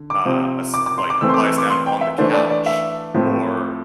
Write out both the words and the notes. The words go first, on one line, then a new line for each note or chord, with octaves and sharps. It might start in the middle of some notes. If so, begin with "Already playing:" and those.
uh, a s like, lies down on the couch or
Already playing: D3
D6
C3 F3 C4
D6
D6
C6
D6
E3 A3 C4 E6
C6
D6
E6
D6
C6
G5
E5
E3 A3 D4 C5
D5
D5
E5
A2 F3 A3 C4